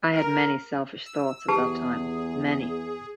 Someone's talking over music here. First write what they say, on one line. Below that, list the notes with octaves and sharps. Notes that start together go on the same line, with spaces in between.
I had many selfish thoughts at that time, many!
A#4
E6
E2 G4 G#4 B4 A5